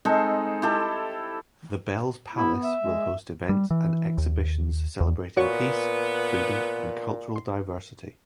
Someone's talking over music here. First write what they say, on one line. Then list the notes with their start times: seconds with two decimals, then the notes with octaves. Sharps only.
The Bells Palace will host events and exhibitions celebrating peace, freedom and cultural diversity.
0.05 G#3 C4 D#4 A4
0.62 E4 G4 A4
2.35 B3 E4
2.63 E5
2.81 G#3
3.49 G3
3.71 E3
4.18 D#2
5.01 E2
5.37 A#2 B3 F#4 C#5 C#6
7.36 C6